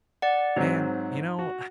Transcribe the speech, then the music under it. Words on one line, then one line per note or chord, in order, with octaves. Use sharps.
Man, you know,
D5 F#5
G#2 F#3 C4 D#4
F#4